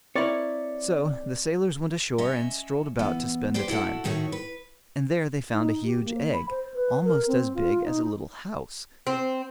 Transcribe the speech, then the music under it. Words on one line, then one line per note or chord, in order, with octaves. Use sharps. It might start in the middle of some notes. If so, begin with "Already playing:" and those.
So the sailors went ashore and strolled about to spend the time, and there they found a huge egg, almost as big as a little house.
C4 E4 A#4 C#5 D5 A6
C#4 D#5 E5
E3 B3
G4 B4 C5 D5
E4 F#4 A4 F#5
A2 D#3 A3 F#4 C#5
B4
D#4
G4
A#3
B5
C5
B4
A#4
C4
F4
D#4
C4